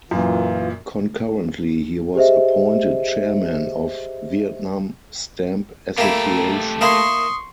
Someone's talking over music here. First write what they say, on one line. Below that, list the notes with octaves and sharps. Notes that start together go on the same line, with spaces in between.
Concurrently he was appointed Chairman of Vietnam Stamp Association.
F#2 A#2 E3 F4
G4 G#4 C5 D#5 E5
A3 A#3 E4 G4 A#5
A#3 E4 A#4 C6 C#6 D#6